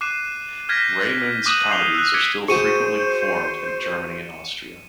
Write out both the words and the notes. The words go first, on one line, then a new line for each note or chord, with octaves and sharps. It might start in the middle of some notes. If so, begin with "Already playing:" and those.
Raimund's comedies are still frequently performed in Germany and Austria.
D6 F#6 C7 D#7 E7
F6 G6 G#6 A#6 B6
D6 D#6 F#6 D#7 E7 F#7
G6 C7 D#7 F7 G7
E6 F#6
D6 G#6 B6 C#7 D7 G7
F#4 G#4 C5 C#6 C#7 D#7 E7